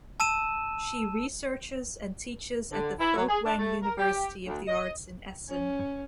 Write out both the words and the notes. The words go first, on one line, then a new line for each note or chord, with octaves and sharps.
She researches and teaches at the Folkwang University of the Arts in Essen.
A5 E6 D#7 E7
D3
E4
F#3
G#4
D4
A3
A#4
G4
D2
D#5
C#4